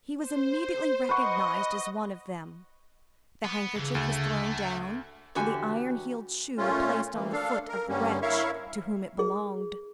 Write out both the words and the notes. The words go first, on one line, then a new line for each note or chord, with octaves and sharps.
He was immediately recognized as one of them; the handkerchief was thrown down, and the iron-heeled shoe replaced on the foot of the wretch to whom it belonged.
C5
B4 D#5 F#5 C#6
B3
G2 C#3 E3
D2 A3
E2 D3 F#4 G4 G#5
A#2 A3 C#4 F4
D2 E3 A#3
D4 A4 F5
A#4
G2 D3 G3 A#3 C#4
E4 A#4 C#5 E5 F5 C#6
G#4